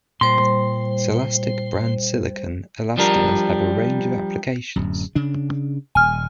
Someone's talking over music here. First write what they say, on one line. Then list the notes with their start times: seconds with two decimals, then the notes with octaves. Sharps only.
Silastic-brand silicone elastomers have a range of applications.
0.21 A#2 G3 C5 C6
2.97 F3 G3 D4 A#4
4.76 D1 F#2
5.15 C#3 D4
5.95 D#1 G#5 F6